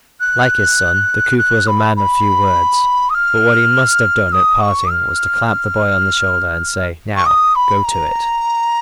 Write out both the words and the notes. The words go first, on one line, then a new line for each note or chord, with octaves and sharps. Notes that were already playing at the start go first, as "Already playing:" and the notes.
Like his son, the cooper was a man of few words; but what he must have done at parting was to clap the boy on the shoulder, and say: "Now, go to it!"
F#6
F#6
B5
B5
D#6
F6
D#6
C#6
F6
C#6
D#6
B5
A#5